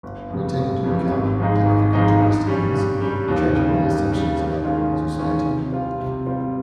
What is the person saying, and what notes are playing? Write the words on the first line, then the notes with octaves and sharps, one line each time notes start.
We take into account typificatory schemes, which are general assumptions about society.
G1
F2 C#3 G3
G1
F2 C#3 G3
G#1
G#2 F3 G#3 D#4
G#1
G#2 F3 G#3 D#4
G2
G3 C#4
G2
G3 C#4
D#2
C#3 G3
D#2
C#3 G3
D#2
D#3 G#3 C#4 F4
D#2
D#3 G#3 C#4 F4
C3
G3 C4 F4
C3
G3 C4 F4